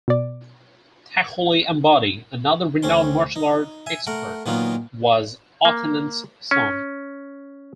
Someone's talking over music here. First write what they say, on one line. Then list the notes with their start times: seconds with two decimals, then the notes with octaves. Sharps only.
Thacholi Ambadi, another renowned martial arts expert, was Othenan's son.
0.08 B2 D5
2.83 D2 C4 C#4 C6
3.36 D#4
3.86 E5 G#5
4.07 A3 A#4 F#5
4.46 A#2 D#3 F#3 B3 D#4 F4
5.65 A#3
6.51 C#4